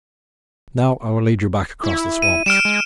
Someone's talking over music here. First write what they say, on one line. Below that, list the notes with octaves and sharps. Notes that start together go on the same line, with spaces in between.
Now I will lead you back across the swamps.
E4
D#7
G3 F6 D7 E7
G#3